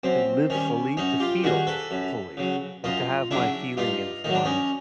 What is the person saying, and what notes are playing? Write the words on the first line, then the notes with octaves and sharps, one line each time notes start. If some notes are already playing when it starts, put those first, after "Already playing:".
to live fully, to feel fully, but to have my feeling informed
F#2 C4
D#3 G3 C#4
F#2 C#4 D#4
F4 G4
D#3 G3 F#4 G#4
A4 B4
F#2
C#3 F#3
F#2 D#4 F4
C#3 F#3 D4 E4
G2 D#4 F4
D#3 F#3 D#4
D4
C#4 D#4